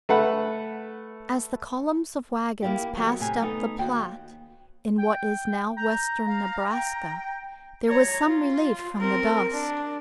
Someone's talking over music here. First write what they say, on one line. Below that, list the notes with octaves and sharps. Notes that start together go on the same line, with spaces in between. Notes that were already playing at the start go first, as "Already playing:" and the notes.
AS the column of wagons passed up the Platte in what is now western Nebraska, there was some relief from the dust.
A3 B4 F#5
A#3 E4 F4 G4
D#3 F#3 A3 C4 G4
A2 C3 G#5
A3 B3 D#4 A4
D#2 F#4 G5
G5
A#5 G6
F5
G5
C#5 A#5
F4
C4 A#4
D4